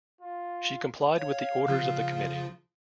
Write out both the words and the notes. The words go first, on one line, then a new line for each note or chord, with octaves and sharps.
She complied with the orders of the committee.
F4
C#5 F5
C#3 F3 F4